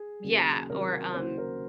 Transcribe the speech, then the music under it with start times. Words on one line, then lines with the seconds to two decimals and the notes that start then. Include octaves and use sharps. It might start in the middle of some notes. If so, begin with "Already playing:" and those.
Yeah. Or, um
Already playing: G#4
0.23 D#2 C#3 F#3
0.69 C#2 C3 D#3 F#3 A#4
1.14 D#2 C#3 F#3 C5
1.38 A#4